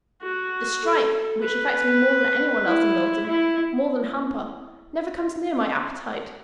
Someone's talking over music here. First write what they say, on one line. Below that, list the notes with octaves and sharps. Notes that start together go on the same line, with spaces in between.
This strike, which affects me more than any one else in Milton,--more than Hamper,--never comes near my appetite.
F#4
A4
B4
E4
E4